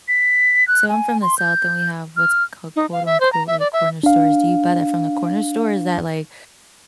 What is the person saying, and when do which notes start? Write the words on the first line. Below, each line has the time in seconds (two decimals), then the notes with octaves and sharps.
So I'm from the south and we have what's called quote unquote, like "corner stores." Do you buy that from the corner store? Or is that, like,
0.08 B6
0.68 F#6
0.89 G#5
1.22 C6
1.38 G6
2.17 F6
2.76 D#4
2.92 F5
3.06 E5
3.20 C5
3.33 A#5
3.47 E5
3.60 D5
3.73 E5
4.03 D4 F5